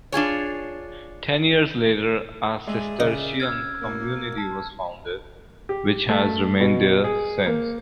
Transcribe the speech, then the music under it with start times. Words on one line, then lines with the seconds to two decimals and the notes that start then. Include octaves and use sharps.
Ten years later, a Cistercian community was founded, which has remained there since.
0.12 D4 F4 G#4 C#5
2.67 G#3 G#4 D5 E5
3.00 C#3 D#5
3.40 E6 F6 G#6
3.81 B2 A#3
4.38 A5
5.69 G4
6.09 A3
6.60 B2
7.04 G#4
7.46 A#3